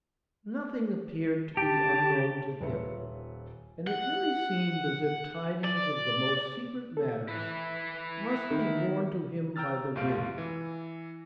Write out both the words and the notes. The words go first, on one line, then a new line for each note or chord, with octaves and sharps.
Nothing appeared to be unknown to him, and it really seemed as if tidings of the most secret matters must be borne to him by the winds.
G4 A5
D#1 F4 B4 C#5 E5 C#7
F#5
D5
A4
E4 B4
C#7
D#3 B3
G5 A#5 E6 F6 A6
C#2 F#2 A3 F4 F5 D7
E3